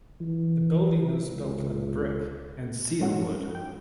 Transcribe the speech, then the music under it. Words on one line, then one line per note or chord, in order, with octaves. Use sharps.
The building is built in brick and cedar wood.
E3
C#2
F3 G#3 C#4 D#4 F#4 A4
G5